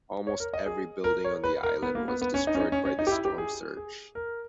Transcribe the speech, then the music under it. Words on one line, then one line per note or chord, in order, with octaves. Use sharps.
Almost every building on the island was destroyed by the storm surge.
C#5
A#4
D#5
G#4
A#4
C#5
B4
A#4
B3
A#3
B3
B3
C#4
D#4
C#4
D#4
C#4
C#4
D#4
G4
E4
G4
G#4
G#4
A#4